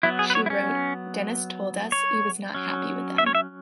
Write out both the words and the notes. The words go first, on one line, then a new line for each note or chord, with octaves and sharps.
She wrote: Denis told us he was not 'happy' with them.
F#3 B3 E4
G#4
B4
C#5
E4
C#4
C#5
F#3 C#4
E5
C#5
E5